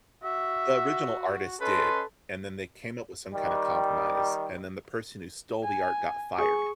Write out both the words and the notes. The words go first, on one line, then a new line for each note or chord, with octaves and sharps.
The original artist did, and then they came up with some kind of compromise, and then the person who stole the art got fired,
F#4 E5
C#4 A4 B4 D#5 C6
D#3 G3
G#5
G#4 C#6